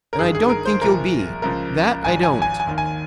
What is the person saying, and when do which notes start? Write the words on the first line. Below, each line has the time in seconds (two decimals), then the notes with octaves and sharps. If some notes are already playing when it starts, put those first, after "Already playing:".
And I don't think you'll be. That I don't.
0.13 A#4
0.19 G1 G2 D#3 G#4
0.35 G#4
0.49 A#4
0.65 C5
0.81 C2 A#2 F3 A#4
1.42 C#2 C#3 F3 A#4
2.05 G#1 G#2 F3 G#5
2.23 G#5
2.42 G#5
2.60 G#5
2.67 D#2 D#3
2.78 G#5